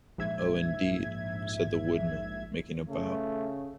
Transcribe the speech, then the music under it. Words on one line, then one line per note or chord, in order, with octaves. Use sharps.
"Oh, indeed," said the Woodman, making a bow.
A#1 G#2 E5 G#6
C#3 A3